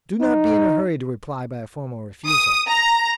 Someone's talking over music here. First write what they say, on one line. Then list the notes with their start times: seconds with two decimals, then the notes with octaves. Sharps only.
Do not be in a hurry to reply by a formal refusal.
0.21 D#4
2.27 D#6
2.68 A#5